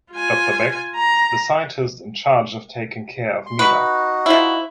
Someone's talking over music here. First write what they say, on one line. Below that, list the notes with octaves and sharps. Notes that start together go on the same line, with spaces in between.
Doctor Beck: The scientist in charge of taking care of Mila.
F4 G#5
A#5
C6
D#4 F#4 B4
F3 E4